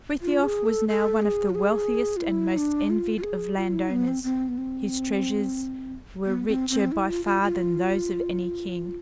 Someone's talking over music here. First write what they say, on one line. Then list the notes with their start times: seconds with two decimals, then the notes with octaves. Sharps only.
Frithiof was now one of the wealthiest and most envied of land-owners. His treasures were richer by far than those of any king.
0.21 F4
0.43 G#4
0.66 A4
0.89 A4
1.22 G#4
1.50 F4
1.55 G#4
2.17 F4
2.23 E4
2.57 D4
2.90 F4
3.17 F4
3.23 G#4
3.57 F4
3.73 E4
3.90 B3
4.08 C4
4.23 C4
4.49 B3
4.58 C4
6.25 B3
6.47 C4
6.70 C4
6.92 E4
7.09 F4
7.25 F4
7.42 F4